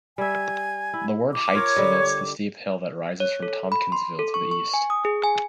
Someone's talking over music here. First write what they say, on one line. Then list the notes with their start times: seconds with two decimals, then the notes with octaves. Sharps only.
The word "Heights" denotes the steep hill that rises from Tompkinsville to the east.
0.18 G3 E5 G#5
0.93 E4
1.34 D6
1.55 F4 A#4 C#5
1.76 D3 G3 D#5
3.20 C#5
3.43 A4
3.72 B5
3.92 C6
4.19 A4
4.34 C#6
4.51 C#6
4.74 G#5
4.90 D#6
5.05 G#4
5.24 G#5